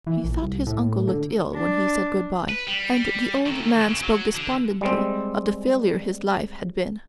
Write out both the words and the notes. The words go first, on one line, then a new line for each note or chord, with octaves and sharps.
He thought his uncle looked ill when he said good-by, and the old man spoke despondently of the failure his life had been.
E3
A#1
C2
A2
D3
D4
B4
G3
D#3 A3
C#3
F#3
D3
G3 G#3 C4